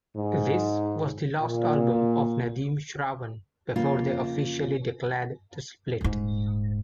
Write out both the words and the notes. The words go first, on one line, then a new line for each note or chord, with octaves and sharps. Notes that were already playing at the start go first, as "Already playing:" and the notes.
This was the last album of Nadeem-Shravan before they officially declared to split.
G#2
A#2
F2 C#3 A#3 F4
D#1 G#2